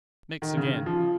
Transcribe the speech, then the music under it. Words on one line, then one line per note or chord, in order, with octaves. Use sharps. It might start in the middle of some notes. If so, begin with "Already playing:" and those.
Mix again.'
D#3
C#3
F3